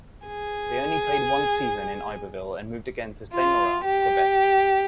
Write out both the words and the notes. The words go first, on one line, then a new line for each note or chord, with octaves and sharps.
They only played one season in Iberville and moved again to Saint-Laurent, Quebec.
G#4
F4
G4